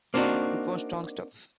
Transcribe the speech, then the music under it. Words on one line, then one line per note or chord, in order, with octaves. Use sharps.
It was strong stuff.
A#3 C4 D4 D#4 F#4